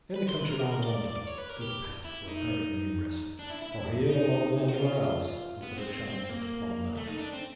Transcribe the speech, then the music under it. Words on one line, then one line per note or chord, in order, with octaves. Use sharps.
In the country round London these pests were very numerous, for here, more than anywhere else, was there a chance of plunder.
B4
C5
B4
A#4
A#4
A#4
D5
D5
D5
D5
C#5
B4
A#4
G4
E4
D#4
D4
E4
E4
E4
D#4
F#4
F4
B3
C4
C4
C4
A#3
A3
D#4
D4
C4